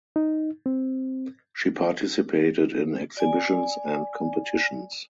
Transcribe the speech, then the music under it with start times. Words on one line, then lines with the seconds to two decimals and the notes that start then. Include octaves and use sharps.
She participated in exhibitions and competitions.
0.16 D#4
0.66 C4
3.17 D5 G#5